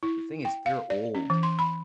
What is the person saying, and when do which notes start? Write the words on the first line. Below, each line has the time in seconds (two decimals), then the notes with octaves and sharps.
the thing is they're old,
0.03 E4
0.45 G5
0.66 F5
0.90 D5
1.15 C#4
1.30 E3
1.43 C6
1.59 B5